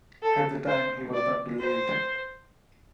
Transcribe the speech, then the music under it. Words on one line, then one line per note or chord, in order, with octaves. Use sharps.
At the time, he was not believed.
A4
C5
D5
C5